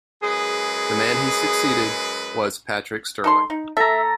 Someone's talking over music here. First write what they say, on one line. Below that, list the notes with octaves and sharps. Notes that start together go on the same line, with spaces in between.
The man he succeeded was Patrick Stirling.
F#2 G#3 G#4 B4
D#4 A4 C6
D#4
A4 E5 A#5